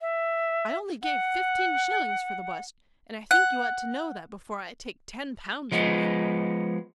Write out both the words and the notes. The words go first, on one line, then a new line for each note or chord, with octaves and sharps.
I only gave fifteen shillings for the bust, and I think you ought to know that before I take ten pounds from you.
E5
F#5
F#5
F3 G#3 B3